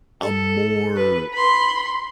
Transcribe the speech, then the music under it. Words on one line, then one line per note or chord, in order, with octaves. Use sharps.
a more
A4
B4
B5 C6